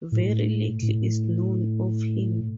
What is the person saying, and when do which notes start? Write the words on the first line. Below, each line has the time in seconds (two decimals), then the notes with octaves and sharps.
Very little is known of him.
0.12 A2
0.82 A2